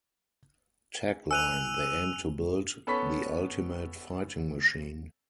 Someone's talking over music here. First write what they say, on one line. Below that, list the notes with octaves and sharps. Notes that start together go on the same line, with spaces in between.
Tagline: They aimed to build the ultimate fighting machine.
G#5 E6 F#6 D#7 F7
B3 C#4 A4 B5 C#6 B6